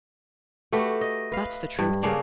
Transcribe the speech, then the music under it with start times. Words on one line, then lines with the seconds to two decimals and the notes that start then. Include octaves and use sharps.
That's the truth.
0.72 A3 F#4 G4 B4
1.01 D#5
1.32 B4 F5
1.79 G2
2.03 C#3 A#3 C#4 D4